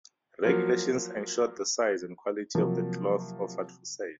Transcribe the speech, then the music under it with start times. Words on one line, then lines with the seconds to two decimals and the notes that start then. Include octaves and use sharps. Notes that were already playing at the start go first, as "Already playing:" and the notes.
Regulations ensured the size and quality of the cloth offered for sale.
0.45 F3 F#3 A#3
2.55 C3 F3 F#3 A#3